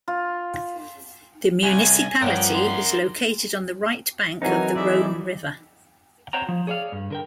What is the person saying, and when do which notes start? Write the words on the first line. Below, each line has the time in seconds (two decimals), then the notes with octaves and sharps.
The municipality is located on the right bank of the Rhone river.
0.08 F4
1.63 C2 G#5
2.22 G2 F3 C#4 A#4 F#5 G5
2.54 C6
4.42 E3 F#3 C4 D#4 A#4 F#5 G#5
4.76 E3 G#3 A3 D#4 D5 E5
6.33 C4 C5 C#5 F#5 G5 A#5
6.49 F3
6.67 G#4 C#5 D5 E5 F5
6.92 G2
7.10 D3 A#4 G5